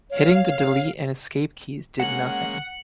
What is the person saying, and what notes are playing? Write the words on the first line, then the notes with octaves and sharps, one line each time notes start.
Hitting the delete and escape keys did nothing.
C#5 F5
G#3 A#3 C#4 F#5 C#7 F#7